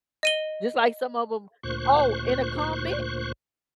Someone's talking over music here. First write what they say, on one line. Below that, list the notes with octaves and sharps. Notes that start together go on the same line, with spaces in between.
just like some of 'em Oh, in a comment,
D#5 D#7 G7
D2 A#2 C5 C#6 F#6